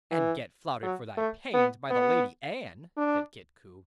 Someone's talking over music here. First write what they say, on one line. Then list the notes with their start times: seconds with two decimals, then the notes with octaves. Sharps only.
"And get flouted for thy pains by the Lady Anne," said Kit Coo.
0.11 E3
0.83 F#3
1.18 A3
1.54 B3
1.90 B3
2.98 D4